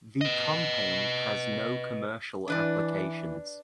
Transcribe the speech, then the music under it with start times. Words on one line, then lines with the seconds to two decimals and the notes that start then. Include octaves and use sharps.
The compound has no commercial applications.
0.21 B4 D#5
2.48 E3 D4 B4 D5